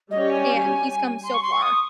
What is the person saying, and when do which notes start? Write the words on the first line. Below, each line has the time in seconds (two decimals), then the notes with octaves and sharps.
And, he's come so far.
0.11 G3 C#4 G4 C#5 D#5
0.30 G#5
1.23 C6
1.34 C#6
1.42 C6
1.52 C#6
1.62 D#6